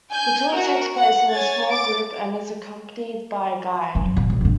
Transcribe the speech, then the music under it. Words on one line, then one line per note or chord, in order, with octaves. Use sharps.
The tour takes place in a small group and is accompanied by a guide.
G#5 G6
F#4 A#4
F#5
C#5 G#5 G#6 A6
D6 A6 D7
F#2
A#2
B1
G1 B2